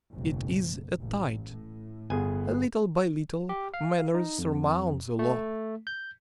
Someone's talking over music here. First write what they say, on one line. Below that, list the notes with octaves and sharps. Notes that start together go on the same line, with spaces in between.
It is a tide. Little by little manners surmount the law.
F#1 B1 G#2
A1
A2
G1 B3 G#4 G#5
G4
F5
D#4
F2
A3
G6